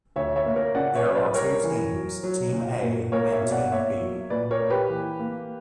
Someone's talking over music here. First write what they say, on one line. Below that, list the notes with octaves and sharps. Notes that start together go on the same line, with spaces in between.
There are two teams - Team A and Team B.
D2 C#5 E5
C#5 E5
A#3
A#4 C#5
C#3 D5 F#5
C#5 E5
F#3
B4 D5
G3 A#4 C#5
E3
F#3
F#3
A#2
A#2
A#3 A#4 C#5
C#5 E5
B2
D5 F#5
A#3 C#5 E5
F#3
A#2 B4 D5
A#4 C#5
A#3
G4 B4
E3
A#3